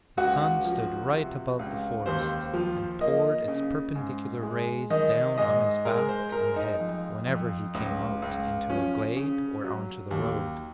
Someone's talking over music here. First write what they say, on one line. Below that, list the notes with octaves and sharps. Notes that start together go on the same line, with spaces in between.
The sun stood right above the forest and poured its perpendicular rays down on his back and head whenever he came out into a glade or onto the road.
C#2 F#4
F3
C3
C#2
D#2 C5
F3
A#3 D#5
C#3
G#2
G#3
D#3 D#5
G#2 D#5
G#3 A#4
C5
G#3 A#4
D#4
F2
F2
C#2
C#2
F3 C#4
C#3
F#3
D#2